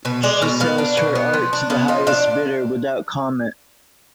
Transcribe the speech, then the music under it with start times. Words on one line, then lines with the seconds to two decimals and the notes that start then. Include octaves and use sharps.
She sells her art to the highest bidder without comment.
0.05 B2 B4
0.23 G#3 D5
0.42 B2 F5
0.60 B3 F5
0.78 D4
0.97 B2
1.15 B3
1.34 F3
1.53 D4
1.70 B3 F5
1.88 F3 D#5
2.07 D4 F5